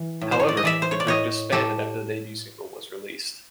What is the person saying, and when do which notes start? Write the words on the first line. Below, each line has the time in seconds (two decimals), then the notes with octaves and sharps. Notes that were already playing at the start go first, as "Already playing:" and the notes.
However, the group disbanded after the debut single was released.
Already playing: E3
0.21 A2
0.32 C5
0.40 C#5
0.48 D5
0.57 D#5
0.63 E3 D5 E5
0.82 C5
0.91 C#5
1.00 D5
1.07 A2 C#5 D#5
1.52 A2 G4 A4